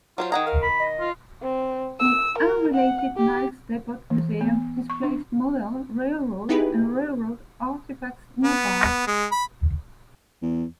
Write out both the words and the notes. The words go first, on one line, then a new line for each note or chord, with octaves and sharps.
The unrelated Niles Depot Museum displays model railroads and railroad artifacts nearby.
F#3 F4 C5 C#5
D#3 G#4 F#5 A#5
A#4 F5
B5
D#5
F4
C4
E6
A#4
F#5
G4
E3
B3
C#6
D4
B3 D#4 E4 G4 G#4 B4
B3
G#3
B5
E2